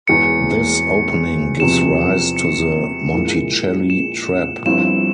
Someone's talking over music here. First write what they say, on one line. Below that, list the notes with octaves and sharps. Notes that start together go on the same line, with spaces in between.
This opening gives rise to the Monticelli Trap.
E1 E2 E3 C#7
E2 C3 F3 C4 E7
C#7
A#1 A#2 G#3 E4
E7
G1 G2 F3 C4 E4 E7